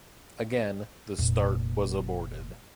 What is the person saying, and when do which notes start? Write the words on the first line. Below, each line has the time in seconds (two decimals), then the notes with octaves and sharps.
Again, the start was aborted.
1.18 F1 A#2